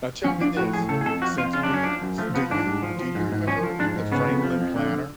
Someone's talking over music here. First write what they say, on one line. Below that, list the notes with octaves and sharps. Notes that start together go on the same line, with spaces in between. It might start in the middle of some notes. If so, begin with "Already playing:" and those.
Now tell me this. Since we s do you do you remember the Franklin Planner?
F3 C#4
F3 D4
A2 F#4
A2 G#4
C#3 A4
G#4
F2 A4
F3 F#4
F2 F4
C#3 F4
D4
F#2 C#4
F3 D4
F#2
F3 A3
F3 B3
G#2 D4
G#2
F3
F3
G#2
G#2
F3 C#4
F3
G#2 D4
G#2
C#3 B3
F2
F3
F2
D3